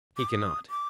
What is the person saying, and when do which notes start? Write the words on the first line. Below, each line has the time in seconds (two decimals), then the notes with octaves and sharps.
He cannot.
0.17 D6
0.29 D#6
0.70 D6